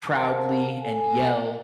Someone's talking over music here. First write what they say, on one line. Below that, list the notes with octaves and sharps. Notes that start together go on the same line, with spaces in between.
proudly and yell,
G#4 A#4 C5 F5 F#5 A5
A4 G#5